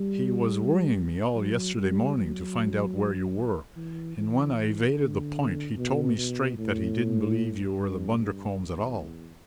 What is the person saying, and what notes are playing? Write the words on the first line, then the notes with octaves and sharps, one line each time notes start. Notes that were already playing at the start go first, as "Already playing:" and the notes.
He was worrying me all yesterday morning to find out where you were, and when I evaded the point he told me straight that he didn't believe you were the Bundercombes at all.
Already playing: G3
F#3
G3
F#3
E3
E3
D3
B2
B2
A2
G2
G2
E2